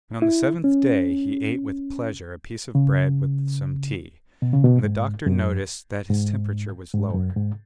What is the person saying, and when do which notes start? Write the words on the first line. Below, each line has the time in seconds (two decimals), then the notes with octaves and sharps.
But on the seventh day he ate with pleasure a piece of bread with some tea, and the doctor noticed that his temperature was lower.
0.22 E4
0.64 C#4
2.75 C#3
4.42 B2
4.53 C#3
4.64 B2
4.84 G#2
5.26 F#2
6.10 G#2
6.94 G#2
7.14 F#2
7.36 G#2